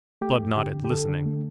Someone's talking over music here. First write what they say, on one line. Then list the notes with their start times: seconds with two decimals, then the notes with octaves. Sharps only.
Blood nodded, listening.
0.21 A3 G4
0.39 F2
0.56 D3 G4
0.74 F2
0.84 G4
0.91 D3 A4
1.08 D3
1.26 A3